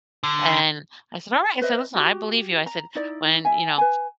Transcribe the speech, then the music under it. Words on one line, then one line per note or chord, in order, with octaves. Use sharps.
And, I said, "Alright" I said, "Listen, I believe you," I said, "when," you know,
D3
B4 C5 D#5 E5
F#4 G4
A#5
D#4 E4 D5
E5 G#5
B4 G#5